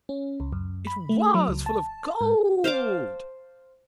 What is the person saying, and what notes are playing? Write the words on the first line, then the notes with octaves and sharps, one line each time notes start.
It was full of gold.
C#4
C#2
F#2
B5
A3
F#3
C#2
A5
G#2
C5 F5 A5 D6